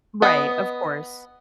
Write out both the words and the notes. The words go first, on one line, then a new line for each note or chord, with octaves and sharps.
Right, of course.
B3 D#5